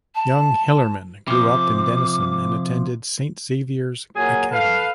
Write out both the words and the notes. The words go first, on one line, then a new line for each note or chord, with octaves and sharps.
Young Hillerman grew up in Denison and attended Saint Xavier's Academy.
A5
C3 F3 D6
A#2 F#3 G#4 G#5
A4 B4 F5